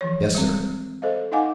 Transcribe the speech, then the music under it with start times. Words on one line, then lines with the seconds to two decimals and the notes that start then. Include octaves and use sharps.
"Yes, sir."
0.01 E3 F3 C#5
0.35 G3 G#3 C4
1.02 A4 C5 D#5 F5
1.32 D#4 D#5 F5 F#5 G#5 D6